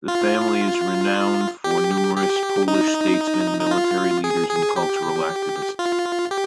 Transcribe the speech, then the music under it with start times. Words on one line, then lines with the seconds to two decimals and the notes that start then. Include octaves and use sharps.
The family is renowned for numerous Polish statesmen, military leaders, and cultural activists.
0.08 F4
1.64 G4
2.16 G4
2.68 D#4
3.60 D#4
3.71 F4
4.24 G#4
4.49 G#4
4.76 G4
5.79 F4
6.31 G4